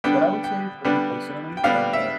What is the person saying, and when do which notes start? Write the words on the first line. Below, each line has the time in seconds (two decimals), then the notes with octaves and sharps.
But I would say for me personally, um, at a
0.04 D3 G3 B3 D4 G5
0.44 G5
0.84 D3 G3 B3 D4
1.57 G5
1.64 D3 G3 B3 D4 F5
1.93 E5